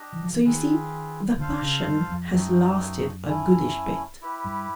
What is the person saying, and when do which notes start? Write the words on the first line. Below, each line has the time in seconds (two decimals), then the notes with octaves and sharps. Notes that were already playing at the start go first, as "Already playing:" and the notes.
So you see the passion has lasted a goodish bit.
Already playing: D4 G4 D#5
0.13 E3
0.23 F3
0.33 E3
0.44 D#3 C4 F4 G#4 B4
1.38 D3 F4 A4 C5 F5
1.62 C#3
1.85 G2
2.09 F2
2.32 F#2 A3 C4 D#4 F#4
3.27 A3 C#4 E4
4.22 E4 G4 B4
4.44 G2